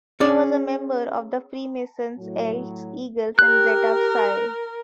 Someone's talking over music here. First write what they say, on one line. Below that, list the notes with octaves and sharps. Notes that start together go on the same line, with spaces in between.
He was a member of the Freemasons, Elks, Eagles, and Zeta Psi.
C#4 G#4 D5
A2 F#3
G4 A#4 F#6